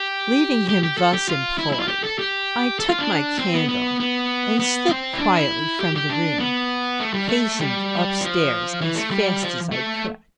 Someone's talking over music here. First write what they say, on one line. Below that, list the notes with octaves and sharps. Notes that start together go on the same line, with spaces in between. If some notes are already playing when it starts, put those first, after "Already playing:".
Leaving him thus employed, I took my candle, and, slipping quietly from the room, hastened up-stairs as fast as I could.
Already playing: G4
G4
G4
A4
G4
F4
E4
E4
F4
G4
A4
G4
A4
F4
D4
C4
B3
B3
B3
B3
C4
E4
D4
E4
G4
G4
D4
B3
A3
G3
A3
G3
F3
E3
A3
G3
F3
A3